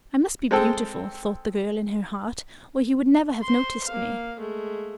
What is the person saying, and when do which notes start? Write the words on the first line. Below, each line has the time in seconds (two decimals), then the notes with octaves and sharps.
"I must be beautiful," thought the girl, in her heart, "or he would never have noticed me."
0.51 G#3 C4 A4 G5
3.42 C5 C6
3.87 A#3 F5
4.40 G#3 A3